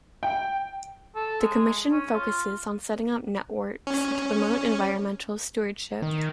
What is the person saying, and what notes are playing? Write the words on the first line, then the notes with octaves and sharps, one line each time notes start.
The commission focuses on setting up networks to promote environmental stewardship.
G5
A4
G#3
C#4
F4
C#4
D#3